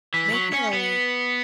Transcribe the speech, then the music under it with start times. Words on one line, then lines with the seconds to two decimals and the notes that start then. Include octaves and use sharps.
Maybe, like
0.14 E3 B6
0.33 F#3
0.53 C#4 C#7
0.73 B3
0.93 C#7